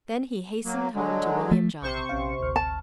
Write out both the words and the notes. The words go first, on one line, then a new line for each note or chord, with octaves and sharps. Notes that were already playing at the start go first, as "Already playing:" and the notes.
Then he hastened home to William John.
F#3 A#3
D3 F#3 G#3
F3 A3
A#1 C3 C5 C#6 G6
A#1 C#4 F5
G#1 D2 F6
A5